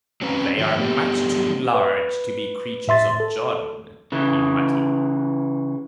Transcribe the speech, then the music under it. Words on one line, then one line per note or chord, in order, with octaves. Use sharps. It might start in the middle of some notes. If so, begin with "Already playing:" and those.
"They are much too large to be creatures of Jon," he muttered.
F#3 C4 C#4 B4 F5 A#5
G#2 D#3 F3 F#3 F#4 G5
A3 B3 G4
B4
A2 E5 C6 A6
A4
C#3 E3